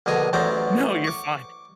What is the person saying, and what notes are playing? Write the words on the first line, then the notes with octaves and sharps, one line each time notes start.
No, you're fine.
A#1 B2 D3 G#4 G#5 A#5
A1 E2 F#3 C5 D5 A#5
C#6 D6